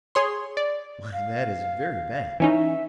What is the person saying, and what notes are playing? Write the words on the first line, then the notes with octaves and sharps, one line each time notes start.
Why, that is very bad!
G#4 C#5 C6
D5
F5
E3 C#4 D#4 E5